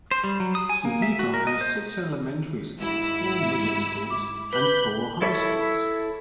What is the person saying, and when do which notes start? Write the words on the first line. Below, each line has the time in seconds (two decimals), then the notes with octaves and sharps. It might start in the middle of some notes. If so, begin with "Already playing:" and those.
Sugito has six elementary schools, four middle schools and four high schools.
0.11 C5
0.24 G3
0.40 F#3
0.55 D#6
0.69 G#5
0.85 A#3
1.02 E5
1.19 F#4
1.34 A#4
1.47 D#5
1.61 C5
2.79 G#2 E4 E6
4.10 D6
4.53 B4 B5 F#6 G6
5.22 E4 A4 C#5 E5 B5